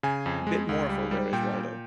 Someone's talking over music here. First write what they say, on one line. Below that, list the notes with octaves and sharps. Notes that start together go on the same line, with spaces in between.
Bit more of a 'Where Is Waldo?
C#3 G#5
F2
G#3
C#2
G3
G3
A#2 G5
A#2